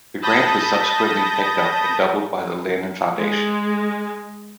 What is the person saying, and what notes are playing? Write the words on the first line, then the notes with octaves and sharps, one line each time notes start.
The grant was subsequently picked up and doubled by the Lannan Foundation.
A5 B5 D#6 G6 A#6
G#3